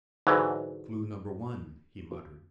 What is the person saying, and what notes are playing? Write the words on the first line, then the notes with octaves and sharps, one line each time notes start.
"Clue number one!" he muttered.
G#2 D3 E3 F#3